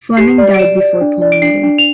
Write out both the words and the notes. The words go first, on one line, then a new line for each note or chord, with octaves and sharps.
Fleming, died before polling day.
G4 C7
D5
D7
D5 E7
D5
D4
D5
D7
D4 C7
D4
F7